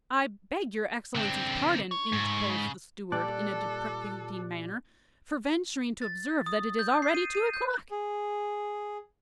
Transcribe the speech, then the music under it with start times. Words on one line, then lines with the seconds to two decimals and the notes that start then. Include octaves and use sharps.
"I beg your excellency's pardon," interposed the steward in a deprecating manner, "for venturing to observe that it is already two o'clock."
1.16 D3 C4 D4 G5
1.91 C#5
2.13 G#2 C#3 A3
2.49 C#3
3.12 A#2 G3 A4 D5 A5 D6 F#6
6.02 A6
6.46 D#6
6.79 G6
7.02 C7
7.15 D#7
7.35 D#7
7.53 G6
7.91 G#4